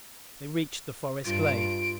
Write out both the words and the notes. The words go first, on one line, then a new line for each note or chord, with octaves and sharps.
They reached the forest glade.
G2 F4 D7